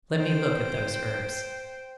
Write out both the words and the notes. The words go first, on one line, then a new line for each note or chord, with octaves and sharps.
Let me look at those herbs.
C5 G5